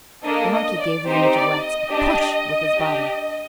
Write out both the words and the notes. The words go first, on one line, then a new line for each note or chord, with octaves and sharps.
The monkey gave the image of wax a push with his body.
A#3 D4 A4 D#5
D#5
D5
C4 D#4 G4 C5
D5
D#5
D4 G4
D4 G4